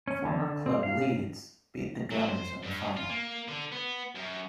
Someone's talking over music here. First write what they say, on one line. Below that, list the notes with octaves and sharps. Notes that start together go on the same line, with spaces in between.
Former club Leeds beat the "Gunners" in the final.
C#4
D3
C4
F5
F#3
C5
G2
F4
A#3
D3
B3
F#2